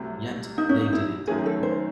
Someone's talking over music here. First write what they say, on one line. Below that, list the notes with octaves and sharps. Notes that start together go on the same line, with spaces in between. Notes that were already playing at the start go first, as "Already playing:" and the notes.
Yet, they did it.
Already playing: C2 C3 F#3 A3
D#4
C#4
D#4
E4
F#2 D#3 A3 C#4 G#4
A4
C5